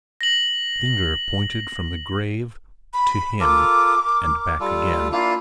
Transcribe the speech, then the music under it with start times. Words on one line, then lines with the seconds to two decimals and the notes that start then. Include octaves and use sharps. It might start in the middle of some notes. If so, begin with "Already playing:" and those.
The finger pointed from the grave to him, and back again.
0.21 A#6 F#7
2.93 B5
3.40 F4 A4 A#4 D6
4.06 A#4
4.60 G3 F4 A4
5.12 A#3 D4 E4 F4